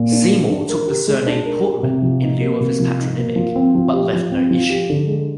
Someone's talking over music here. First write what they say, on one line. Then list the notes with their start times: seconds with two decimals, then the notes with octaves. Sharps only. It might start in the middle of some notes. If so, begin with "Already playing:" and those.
Seymour took the surname Portman in lieu of his patronymic, but left no issue.
Already playing: A#2
0.12 D4
0.30 G#3
0.50 D4
0.69 A#4
0.87 G4
1.07 G#3
1.27 D4
1.46 A#4
1.64 G4
1.83 C3
2.02 F3
2.22 D#4
2.40 A#3
2.60 C3
2.80 F3
2.98 D#4
3.18 A#3
3.36 F3
3.56 C4
3.75 F3
3.93 G4
4.13 F3
4.32 C4
4.51 F3
4.70 G4
4.90 D3
5.07 G#3